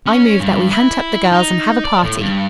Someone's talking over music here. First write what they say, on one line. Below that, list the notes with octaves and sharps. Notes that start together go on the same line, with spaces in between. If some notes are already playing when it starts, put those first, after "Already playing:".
I move that we hunt up the girls and have a party.
C#4
G2
E4
D#4
D5
A2
G2